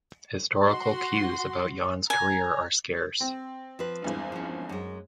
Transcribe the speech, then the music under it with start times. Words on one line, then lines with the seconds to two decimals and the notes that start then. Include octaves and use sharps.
Historical clues about Yan's career are scarce.
0.66 F#4 C6
2.10 G#5 A#5
3.20 C4
3.79 F3 B4
4.02 G#1 E2 G2
4.32 F3 C#4
4.69 F#2 G#3